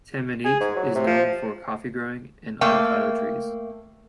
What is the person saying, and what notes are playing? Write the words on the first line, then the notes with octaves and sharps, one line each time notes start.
Tamanique is known for coffee growing and avocado trees.
G#4
G#2
F#3
C3
F3
A3 A#3 G5